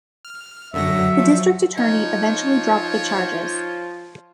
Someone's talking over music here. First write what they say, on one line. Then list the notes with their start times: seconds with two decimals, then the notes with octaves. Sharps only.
The district attorney eventually dropped the charges.
0.25 F6
0.74 F#2 D3 F#3 E5 A#6
1.19 F3
1.77 F3 D#4 F4 C#5